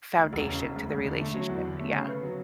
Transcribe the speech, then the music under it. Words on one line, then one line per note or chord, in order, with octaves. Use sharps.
foundation to the relationship, yeah.
D2
E1
C#3
E1
D2
E1
D3
A3
F#3
E2
D3
A3
C#3
B3
F#3